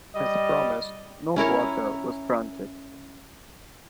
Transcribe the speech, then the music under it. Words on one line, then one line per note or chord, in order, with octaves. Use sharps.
As promised, no quarter was granted.
G3 D#5
C#4 E4 A#4 C#5